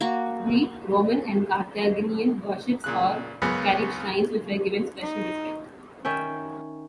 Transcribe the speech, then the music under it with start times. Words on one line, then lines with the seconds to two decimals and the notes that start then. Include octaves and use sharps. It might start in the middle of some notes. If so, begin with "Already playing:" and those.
Greek, Roman, and Carthaginian warships all carried shrines which were given special respect.
0.01 A#3 F#4 C#6
2.84 A#2 C#3 F#6
3.42 C#2 F#2 C#3 B3
5.01 D#4
6.05 D#3 C#4 E5 G5